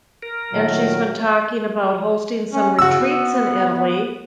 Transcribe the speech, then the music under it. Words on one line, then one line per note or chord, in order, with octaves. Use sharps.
and she's been talking about hosting some retreats in Italy,
A#4
A#2 D#3 F#3 A3
C#4
C#3 F#4 E6
B3